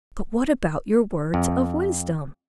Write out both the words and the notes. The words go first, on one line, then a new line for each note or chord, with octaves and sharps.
'But what about your words of wisdom?'
F2